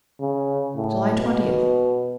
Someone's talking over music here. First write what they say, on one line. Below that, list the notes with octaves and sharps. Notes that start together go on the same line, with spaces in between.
July Twentieth.
C#3
A2
B2